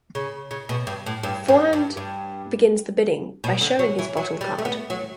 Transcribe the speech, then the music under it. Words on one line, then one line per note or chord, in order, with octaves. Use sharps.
Forehand begins the bidding by showing his bottom card.
C#3
C#3
B2
G2
A2
G2
G2
G2
G2
B2
D3
F#3
E3
F#3
G3
A3
B3
F#3